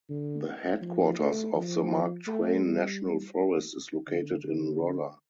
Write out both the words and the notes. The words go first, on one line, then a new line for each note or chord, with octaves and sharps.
The headquarters of the Mark Twain National Forest is located in Rolla.
D3
F3
A3
F3
A3
G3
D3
D3